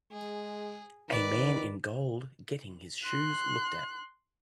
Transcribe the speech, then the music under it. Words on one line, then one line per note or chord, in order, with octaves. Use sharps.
A man in gold getting his shoes looked at.
G#3 G#4
D#3 B4 D5
C6 F#6